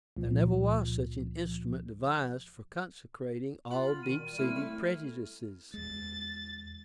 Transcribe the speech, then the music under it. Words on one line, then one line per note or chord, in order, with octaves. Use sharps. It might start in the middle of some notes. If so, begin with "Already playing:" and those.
There never was such an instrument devised for consecrating all deep-seated prejudices.
C#2 A#2 F3
F4 F#5 B5
F6
B2 D#3 D#7
G3
G3 A3 C4 E4 F6
A3 F6
E2 G#3 A6